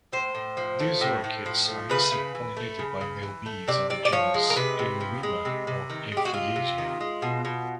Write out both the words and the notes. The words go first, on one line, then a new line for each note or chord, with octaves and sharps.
These orchids are insect pollinated by male bees in the genus "Eulaema" or "Eufriesia".
A2 C5
A2
F3
A3
A2
A2
F3
A3
C#3 B4
C#3
E3
A3
C#3
C#3
E3
A3
C3 D5
C3 D5
D5
F3 C#5
G#3
A#4
C3 B4
C3
F3
G#3
C3
C3
D#3
G#3
G4
F#4
C3 F4
C3
D#3
G#3
B2
B2